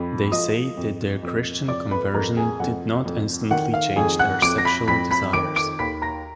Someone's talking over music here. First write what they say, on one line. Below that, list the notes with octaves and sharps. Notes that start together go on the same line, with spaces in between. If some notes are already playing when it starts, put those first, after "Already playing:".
They say that their Christian conversion did not instantly change their sexual desires.
Already playing: F2 B5
F3 D#5 D#6
F2
F2
F2 D5 D6
B4 B5
F2 A#4 A#5
G#4 G#5
F2 F#5
F2
D#3 F#5
F5
F2 G#4 G#5
F#5 F#6
F2 D6 D7
A#6
B5 B6
F2 B5 B6
B5 B6
D#3 D6 D7
D6 D7
D#2 B5 B6
A#5 A#6